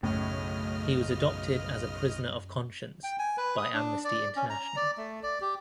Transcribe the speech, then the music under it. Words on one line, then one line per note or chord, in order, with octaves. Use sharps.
He was adopted as a prisoner of conscience by Amnesty International.
B1 F#2 A2 C#3 D#5 F6
G5
G#5
B4
D#6
D4
D5
C#4
A#5
D5
A3
D5
G4